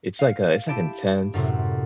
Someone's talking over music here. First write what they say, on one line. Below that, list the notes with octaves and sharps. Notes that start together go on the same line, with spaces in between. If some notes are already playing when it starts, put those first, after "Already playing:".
it's, like, a it's like intense,
F5
E4 G4 A5 D7
F#2 A2 C3